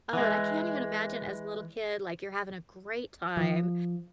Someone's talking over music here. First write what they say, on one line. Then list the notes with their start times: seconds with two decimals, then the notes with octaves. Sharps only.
Oh, and I can't even imagine as a little kid, like, you're having a great time,
0.13 E3 G#3
3.37 F3